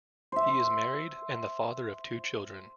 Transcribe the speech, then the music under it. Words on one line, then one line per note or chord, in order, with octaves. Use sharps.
He is married and the father of two children.
C5 E5